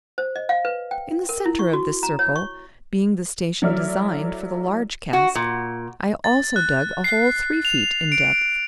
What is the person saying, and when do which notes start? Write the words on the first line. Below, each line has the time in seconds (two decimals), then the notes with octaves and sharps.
In the centre of this circle, being the station designed for the large cask, I also dug a hole three feet in depth.
0.18 C5
0.36 D#5
0.49 F5
0.65 B4
0.91 G5
1.29 A#4
1.46 E4
1.59 C#6
1.73 F#4
2.03 A#5
2.19 C#5
2.36 C#6
3.62 F#3 A3 E4 D5 E5 F6
5.13 F#4
5.35 A#2
6.24 A6
6.56 F#6
7.04 C7
7.65 F7
8.12 D7